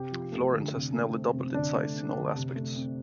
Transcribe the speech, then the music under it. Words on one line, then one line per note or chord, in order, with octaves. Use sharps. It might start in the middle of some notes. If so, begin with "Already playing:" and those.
Florence has nearly doubled in size in all aspects.
Already playing: C3 C4 G4
F3
A3
D3
C3
A3
C4
C3
D3 D4
A3
C4
D3
C3
A3
C4